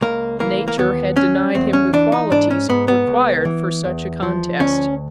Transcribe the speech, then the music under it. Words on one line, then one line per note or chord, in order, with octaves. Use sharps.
Nature had denied him the qualities required for such a contest.
C#2 A#3
E3 A#3
A#3
D#2 B3
F#3 C#4
E2 C4
C#4
E3 D4
D#4
G#2 D4
C#4
G#2 B3
B3
C#2
E3
E2
F3
D2 C#4